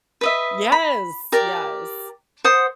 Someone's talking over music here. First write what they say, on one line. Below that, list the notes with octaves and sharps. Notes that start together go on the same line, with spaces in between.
Yes, yes,
B4 D#5 E5
B5
G4 A#4 D5
C5 F#5 D#6